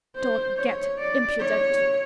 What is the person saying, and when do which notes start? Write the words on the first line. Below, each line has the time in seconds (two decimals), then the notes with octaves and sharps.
"Don't get impudent."
0.16 C5
0.57 C#5
0.99 D5
1.40 C#5